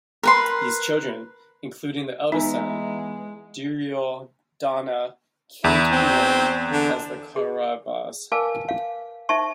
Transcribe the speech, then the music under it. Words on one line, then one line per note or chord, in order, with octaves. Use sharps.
These children, including the eldest son Duryodhana, came to be known as the Kauravas.
A#4 B4 C6
E3 G#3 B3 D#4 E5 G#5 A#5
E2 E4
C4
D3
G#4
A#4 B4 F5 G#5 A5 D6
F5
D#4 C5 E5 A5 C#6